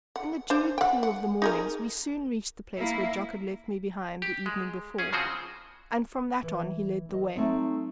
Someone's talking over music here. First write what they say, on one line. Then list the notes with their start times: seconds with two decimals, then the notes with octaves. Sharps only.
In the dewy cool of the morning we soon reached the place where Jock had left me behind the evening before; and from that on he led the way.
0.16 F#5
0.50 D4 C5
0.78 F#5 G5
1.03 F#5
1.42 D#4 G#4 A#4
2.78 A#3 E4
4.22 G4
4.46 G#3
4.98 C#4 G#4
5.13 C#3 F3 C4 F#4 G#4 C5
6.43 E3
7.09 E2 D#5
7.35 F#3 A3 C4 D#4